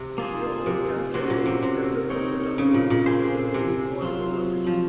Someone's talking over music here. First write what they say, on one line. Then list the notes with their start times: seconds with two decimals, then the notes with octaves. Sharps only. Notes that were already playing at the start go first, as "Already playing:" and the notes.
He often cast a young Catherine Zeta Jones as a re-voicing artist.
Already playing: C3
0.18 A#3 F4 G#4 C5
0.66 C3
1.14 C3 A#3 C#4 F#4 C5
1.30 A#2
1.46 C3
1.63 C3
2.10 C4 D#4 A#4 C#5
2.58 C#3
2.74 A#2
2.90 A#2
3.06 C4 F4 G#4 C5
3.54 C3
4.02 F#3 C4 F4
4.67 F3